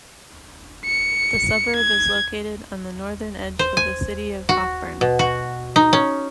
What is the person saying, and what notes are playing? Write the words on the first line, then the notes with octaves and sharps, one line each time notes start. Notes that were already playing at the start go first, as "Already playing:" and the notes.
The suburb is located on the northern edge of the City of Cockburn.
C#7
G#6
C5
G#5
F#4
B2
F#4
D#4
C#4